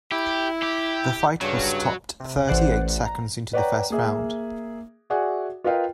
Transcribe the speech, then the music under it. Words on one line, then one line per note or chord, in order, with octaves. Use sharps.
The fight was stopped thirty eight seconds into the first round.
E4 G4
G4
G2 C#3 F#3
C3
A1 E3 C5 D5 F#5 F#6
A#5
B4 C#5 D5 F#5 G5 A#5
A#3 G#4 E5
F#4 G#4 D5 E5 F#5 G#5
F4 A#4 B4 D#5 F5 G5